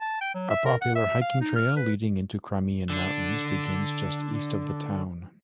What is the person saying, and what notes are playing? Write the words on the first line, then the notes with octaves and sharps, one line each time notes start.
A popular hiking trail leading into Crimean Mountains begins just east of the town.
A5
G5
F#3
E5
A#4
F#5
E5
F5
D#4
F6
B4
D3 D4